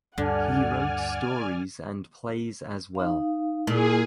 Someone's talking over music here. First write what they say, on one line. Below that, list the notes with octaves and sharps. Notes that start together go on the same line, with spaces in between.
He wrote stories and plays as well.
D2 G2 D3 D5 F#5 G#5 F6
D#4 F5
A#2 A#3 E4 G#4